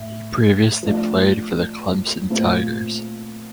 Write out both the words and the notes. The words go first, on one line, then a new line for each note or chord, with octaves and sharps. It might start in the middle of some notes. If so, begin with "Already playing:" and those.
He previously played for the Clemson Tigers.
Already playing: A2
F3 A3 D4
A#2 A3 C4 F4